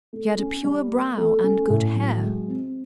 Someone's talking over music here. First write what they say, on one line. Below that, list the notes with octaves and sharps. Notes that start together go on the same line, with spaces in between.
She had a pure brow and good hair.
A3
C#4
G3
A#3
A3
C#4
A2
F#3
G#3
C4